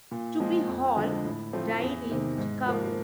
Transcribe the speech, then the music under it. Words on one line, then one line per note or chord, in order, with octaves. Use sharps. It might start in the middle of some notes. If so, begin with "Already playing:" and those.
Tubby Hall died in Chicago.
A#2
F3 G#3 C4
F2
D3 F3 G#3
A2
F3 A3 C4
E2
C3 D#3
G#2
F3 A#3